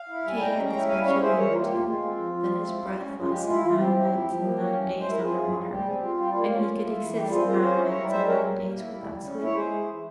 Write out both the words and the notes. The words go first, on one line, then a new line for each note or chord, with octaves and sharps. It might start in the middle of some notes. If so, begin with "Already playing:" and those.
Kay had this peculiarity, that his breath lasted nine nights and nine days under water, and he could exist nine nights and nine days without sleep.
Already playing: F5
E4
G3 G#5
G#3 G5 A#5
C#4
G5 A#5
E4
G3 F5 G#5
C#4 C#5 F5
E4 G#4 C5
E3 A#4 C#5
A#3 F4
G4
F4
G4
G#3 F4
C4
F3
F3
C4
E4
G3
C#4
C#3
F4
G#3 G4
E4 F4
E3 F4
C4 G4
E4
F3
F3
A#3
C#4
E3
G#3
C5
E4 A#4
C4 F4 G#4
E4
G3
G3 G4
C4 G#4
G4
F4
G3 G4
A#3 F4
C#4 F4
A#3
E4
E3
G3 G4
C4 F4 G#4
F4 G4 A#4
C#4 G#4 C5
E4
A#4 C#5
G3
G#3 C5 E5
C#4 G4 A#4
A#2
A#3
E4
G3
G3
C#4
E4
C#5
G#3 G#4 C5
E4
E3